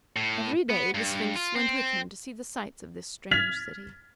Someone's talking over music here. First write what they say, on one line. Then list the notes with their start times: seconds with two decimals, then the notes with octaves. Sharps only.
Every day the Sphinx went with him to see the sights of this strange city.
0.16 A2
0.70 B3
0.94 G2
1.36 F4
1.56 C4
3.31 F6 G#6 A6 B6 F7